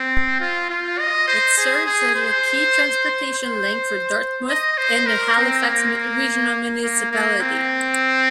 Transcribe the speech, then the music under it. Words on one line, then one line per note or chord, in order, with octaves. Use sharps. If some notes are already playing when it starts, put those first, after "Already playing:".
It serves as a key transportation link for Dartmouth and the Halifax Regional Municipality.
Already playing: C4
F4
F4
D#5
C5
G#4
G#4
C5
C5
D#5
C5
A#4
C4
A#3
A#3
A#3
C4